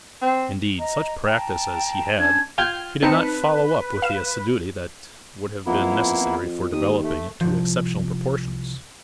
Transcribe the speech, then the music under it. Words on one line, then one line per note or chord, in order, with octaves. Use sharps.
Indeed such practice as he had he did not follow up with the assiduity that would have been necessary for developing it to exceptional proportions.
C4
D#5 A#5
G5 A5 A#5
C#4 D4 A5 G#6
F4 G5 G6 G#6
C4 D#4 B4 A5 C#7
F5 E7
F2 A#3 B3 E4
F2
D#2 D#6
A3
C2 F#2 F3